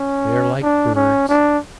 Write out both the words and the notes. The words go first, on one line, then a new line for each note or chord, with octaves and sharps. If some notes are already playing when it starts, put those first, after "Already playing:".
They are like birds.
Already playing: C#4
D4
C#4
D4